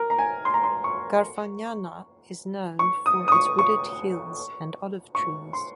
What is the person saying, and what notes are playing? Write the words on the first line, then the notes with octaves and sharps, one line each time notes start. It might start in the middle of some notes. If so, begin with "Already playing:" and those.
Garfagnana is known for its wooded hills and olive trees.
Already playing: A#4
A#5
G#5
C6
A#5
C6
C#6
C#6
D#6
D#6
C#6
C#6
C#6
C6